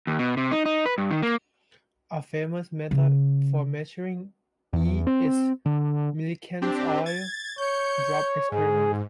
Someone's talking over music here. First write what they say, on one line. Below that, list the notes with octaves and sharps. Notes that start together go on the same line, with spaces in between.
A famous method for measuring "e" is Millikan's oil-drop experiment.
D#2
B2
C3
D#4
D#4
B4
G2
D#3
A#3
C#3
E2
C4
D3
C4 D4 G4
G#6 A6
C#5 G6 C#7
G#2 G#4